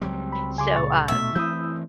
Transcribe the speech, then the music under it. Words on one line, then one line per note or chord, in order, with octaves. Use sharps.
So, uh,
C#2 F#3 G3 C4
B5
C#3 G#5 C6 D6
A#2 C#6 A6
D2 B2 A3 E5
E3 A3 C4 E4 D#6 E6 G6